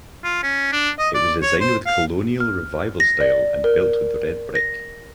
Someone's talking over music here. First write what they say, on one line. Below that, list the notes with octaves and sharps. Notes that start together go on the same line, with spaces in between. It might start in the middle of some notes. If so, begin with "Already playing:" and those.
It was designed with Colonial Revival style and built with red brick.
F4
C#4
D4
D#5
D5
C#5
C5
F5
F6
A#6
D5
A#4
A#6